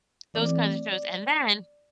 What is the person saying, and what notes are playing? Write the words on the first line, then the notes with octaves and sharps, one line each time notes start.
those kinds of shows, and then
E3 A3 C4 D5